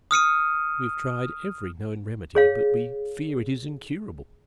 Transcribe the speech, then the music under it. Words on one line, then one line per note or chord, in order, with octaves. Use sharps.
We have tried every known remedy but we fear it is incurable.
D#6 F6 C#7 D#7
G#4 C#5 F5